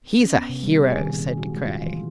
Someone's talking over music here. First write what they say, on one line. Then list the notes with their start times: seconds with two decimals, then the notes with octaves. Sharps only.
"He's a hero!" said De Craye.
0.20 C#4
0.35 B3
0.49 C3
0.63 G3
0.83 G#4
1.00 D#3
1.14 A#2
1.38 F#4
1.53 G#3
1.67 F4
1.85 E3